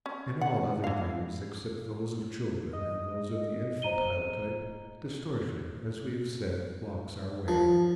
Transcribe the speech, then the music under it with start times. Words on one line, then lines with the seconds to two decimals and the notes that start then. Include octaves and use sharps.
In all other dreams except those of children and those of the infantile type, distortion, as we have said, blocks our way.
0.06 C#4
0.41 F#5
0.84 E3 F5
2.73 D#5
3.82 C5 D#5 A#5 D#7 G7
7.48 F3